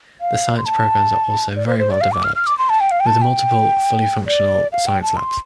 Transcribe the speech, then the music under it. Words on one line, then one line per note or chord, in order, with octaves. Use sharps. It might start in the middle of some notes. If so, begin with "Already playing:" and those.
The science programs are also very well developed, with multiple fully functional science labs.
F5
C6
A5
D5
C5
C5
D5
F5
D6
F6
F6
D6
C6
A5
G5
F5
G5
A5
G5
D5
F5
G5
A5
C6